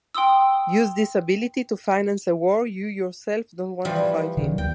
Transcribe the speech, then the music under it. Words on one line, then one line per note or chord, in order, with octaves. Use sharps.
Use this ability to finance a war you yourself don't want to fight in.
G5 C6 D#6 E6
E3 F3 G3
C3 D#3 F#3
D#2 G5